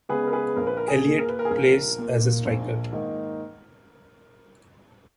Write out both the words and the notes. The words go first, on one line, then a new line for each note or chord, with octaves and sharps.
Elliott plays as a striker.
C#3 G#3 B3 G#4 B4
A#4
G#4 B4
A#1 A#4
B4
A#4
G#4
A#2 A#3
A#4
B4
A#4
G#4
A#1 A#4
A#2 A#3
A#1
G#2 D#3 A#3